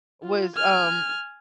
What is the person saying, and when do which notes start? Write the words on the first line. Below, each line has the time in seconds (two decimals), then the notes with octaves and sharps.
was, um,
0.23 F4
0.56 G#5 F6